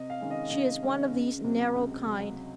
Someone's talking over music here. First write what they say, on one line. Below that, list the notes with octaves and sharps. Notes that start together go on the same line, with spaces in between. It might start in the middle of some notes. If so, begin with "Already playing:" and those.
She's one of these narrow kind.
Already playing: C3 D#5
F5
D#3 G#3 C#4
D#5
C3 D#5
D#3 G#3 C#4
C#2
C3 F#3
C#2
C3 F#3